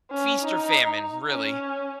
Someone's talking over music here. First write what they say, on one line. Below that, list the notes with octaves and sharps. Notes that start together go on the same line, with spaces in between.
feast or famine, really.
C#4
D#4
C#4